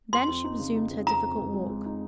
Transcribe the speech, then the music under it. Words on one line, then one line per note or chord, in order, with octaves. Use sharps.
Then she resumed her difficult walk.
F2 C6
F2
D#4
C#3
D#4
C#3
F2 A#5
F2
F2
G#3
G#3
D#4